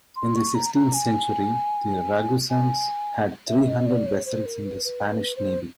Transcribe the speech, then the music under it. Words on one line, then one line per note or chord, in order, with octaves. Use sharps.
In the sixteenth century the Ragusan's had three hundred vessels in the Spanish navy.
C6
C#6
A#5
A#5
G#5
G#5
E5
D#5
D5
C#5
C5
A#4
B4
B4
B4
C5